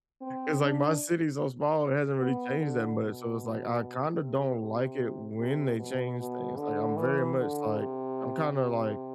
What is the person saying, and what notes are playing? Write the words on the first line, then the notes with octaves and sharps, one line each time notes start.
it's, like my city's so small it hasn't really changed that much, so, it's, like, I kinda don't like it when they change things, like, I'm very much, like I'm kinda, like
C4
D4
B3
D3
B2
C3
C3
C3
B2
B2
D3
E3
D3
C3
C3